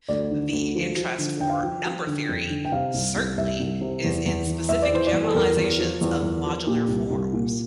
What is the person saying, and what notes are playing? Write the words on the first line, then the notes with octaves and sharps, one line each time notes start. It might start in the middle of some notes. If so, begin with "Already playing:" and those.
The interest for number theory, certainly, is in specific generalisations of modular forms.
D2 D5
D3
D2
F3
F3
D3
D3 G5
F5
F3 G5
F3
D3
F2
D3
G5
C3 F5
C2
C2
C2 E5
C2
C3
E2
E2
E3
E2 E5
D5
E3 C5
D5
E2
A4
E2 A#4
E2
F3
E2
E2
F3
A#2 G4
C2
C2
A#2